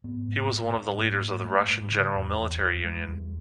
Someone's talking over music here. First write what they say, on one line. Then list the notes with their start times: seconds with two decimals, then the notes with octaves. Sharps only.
He was one of the leaders of the Russian General Military Union.
0.04 G#2 B3
0.28 G#2
0.51 G#2
0.74 G#2
0.98 G#2 A#3
1.21 G#2
1.44 G#2 A3
1.69 G#2
1.91 C#3
2.16 E2
2.39 E2
2.61 E2
2.85 E2 G#3
3.09 E2 G3